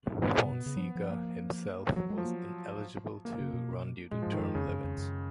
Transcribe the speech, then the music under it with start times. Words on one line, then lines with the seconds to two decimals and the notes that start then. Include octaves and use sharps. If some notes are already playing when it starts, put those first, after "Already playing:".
Fonseca himself was ineligible to run due to term limits.
0.23 G#2 B3
0.38 A#2
0.46 C#3
0.52 B2
0.66 C#3
0.77 F#3
0.81 F3
0.95 F3
1.10 A#3
1.96 F3 F#3
2.10 G#3
2.18 F3
2.25 A#3
3.25 A#3
3.40 C#3
3.54 B2
4.11 A#2 G#3
4.22 F3
4.27 G#2
4.33 D#3
4.40 F#2
4.55 F2 C#3
4.69 F#2
4.84 F2
4.98 F#2